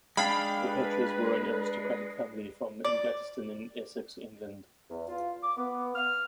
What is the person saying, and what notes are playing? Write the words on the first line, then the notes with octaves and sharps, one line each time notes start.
The Petres were an aristocratic family from Ingatestone in Essex, England.
G#3 D4 F5 G5 B5
B4
D5
E2
F4
D6
B3
F6